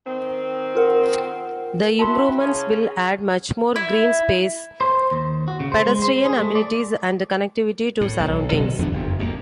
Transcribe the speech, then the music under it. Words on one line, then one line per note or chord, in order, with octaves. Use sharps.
The improvements will add much more green space, pedestrian amenities and connectivity to surroundings.
D#3 C4
F4 A#4 F#5
B3 E4 F#4 A5 C6
C#3 C#4
E4
C5
D#2
F#4
C#3
C5
G#3
C5
G#4
A3
D5
A2
B1
B2 D3 F#3 B3
E2 B3 C4 D4
F#1 F2
F2 D3 A#3